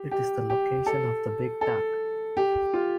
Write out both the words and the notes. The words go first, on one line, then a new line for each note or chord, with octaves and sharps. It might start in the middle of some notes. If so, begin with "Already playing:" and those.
It is the location of the Big Duck.
Already playing: G4
G4
G4
A4
A4
G4
F4